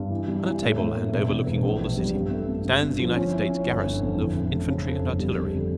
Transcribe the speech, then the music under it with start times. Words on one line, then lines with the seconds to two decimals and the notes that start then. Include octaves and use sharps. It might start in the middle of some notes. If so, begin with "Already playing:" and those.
On a table-land overlooking all the city stands the United States garrison of infantry and artillery.
Already playing: G2
0.10 E3
0.28 G3
0.45 E3
0.62 A2
0.79 A2
0.96 A#3
1.13 E1
1.29 E1
1.47 E1
1.63 A#1
1.81 A#1
1.97 G3
2.14 G2
2.31 A3
2.48 G2
2.65 G1
2.83 G2
2.99 F3
3.16 C#4
3.33 E4
3.50 C#4
3.67 G1
3.84 G1
4.01 F2
4.17 E3
4.35 A1
4.51 A2
4.68 C#3
4.86 F2
5.03 G1
5.20 G3
5.36 F2
5.53 D3